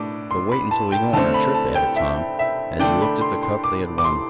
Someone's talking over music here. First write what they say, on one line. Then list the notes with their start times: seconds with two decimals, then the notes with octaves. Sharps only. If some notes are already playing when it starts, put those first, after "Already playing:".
"But wait until we go on our trip," added Tom, as he looked at the cup they had won.
Already playing: A2 D4 D6
0.31 C6
0.52 B5
0.71 A5
0.92 G5
1.13 D3 A3 C4 A5
1.34 B5
1.55 A5
1.75 G5
1.96 E5
2.39 E5
2.79 D3 A3 D4 G5
3.02 B5
3.21 C6
3.43 C6
3.64 D6
3.98 D6
4.05 C6